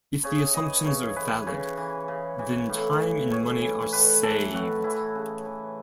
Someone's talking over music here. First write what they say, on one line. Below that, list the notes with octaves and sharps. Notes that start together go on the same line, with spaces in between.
If the assumptions are valid, then time and money are saved.
C#3 C#5
E3 D#5
C#3 C#5
E3 B4
C#3 C#5
E3
C#3
E3
A2
E3
A2 C#5
E3
A2 B4
E3 A4
A2 F#4
E3 E4
C#3
E3